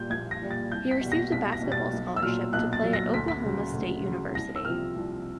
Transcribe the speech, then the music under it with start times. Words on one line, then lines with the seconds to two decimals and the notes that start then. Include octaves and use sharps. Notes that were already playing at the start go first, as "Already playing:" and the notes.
He received a basketball scholarship to play at Oklahoma State University.
Already playing: A#2 G3 G6
0.10 A#1 G#6
0.31 A#6
0.42 A#2 G3
0.51 A6
0.72 C2 G6
0.91 B6
1.01 B2 G3
1.12 A#6
1.32 C2 B6
1.52 A#6
1.62 B2 G3
1.72 A6
1.93 B1
2.16 E6
2.22 A#2 F#3 F6
2.53 B1 F#6
2.73 A6
2.83 A#2 F#3
2.93 A#6
3.14 D2 B6
3.28 B6
3.44 C#3 F#3
3.74 D2
4.05 C#3 F#3
4.35 C2 A#6
4.56 E6
4.65 C3 F3 F6
4.96 C2